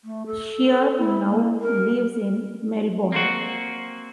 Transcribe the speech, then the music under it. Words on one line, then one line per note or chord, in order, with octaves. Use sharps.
Shier now lives in Melbourne.
A3
A4
E4
A#3
A#4
A#3 C4 F#4